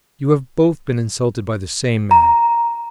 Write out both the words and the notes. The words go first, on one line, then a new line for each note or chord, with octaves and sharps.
You have both been insulted by the same man.
A#5